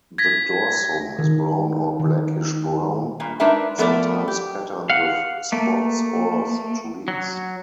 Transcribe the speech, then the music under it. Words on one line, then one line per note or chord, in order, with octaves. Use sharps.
The dorsum is brown or blackish brown; sometimes patterned with spots or streaks.
G#6 A#6 B6
D#3
D#3
G2 A#2
G#3 D4 D#4 A#4 B4 E5
F3 A3 B3 A#4 D5
G4
F5 F#5
A3 A#3
F#3